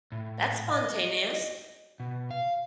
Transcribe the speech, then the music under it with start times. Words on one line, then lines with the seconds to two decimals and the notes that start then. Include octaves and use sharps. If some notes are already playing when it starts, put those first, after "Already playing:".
that's spontaneous.
0.12 A2
0.71 D#5
2.00 B2
2.31 F5